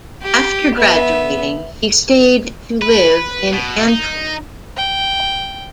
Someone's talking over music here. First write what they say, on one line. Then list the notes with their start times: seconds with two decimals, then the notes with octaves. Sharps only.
After graduating, he stayed to live in Antwerp.
0.23 G4
0.76 B3 E5
2.82 B4
3.53 B2
3.88 D#4
4.76 G5